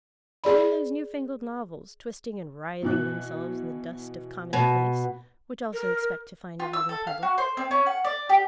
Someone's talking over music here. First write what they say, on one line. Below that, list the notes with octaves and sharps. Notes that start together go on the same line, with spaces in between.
"I mean those new fangled novels, twisting and writhing themselves in the dust of commonplace, which also expect to find a reading public."
G#4 D5 B5
B2 E3 F#6
B2
A#4
F4
E6
A4
F5
F#4
C5
C4
C#4
F#5
D5
G4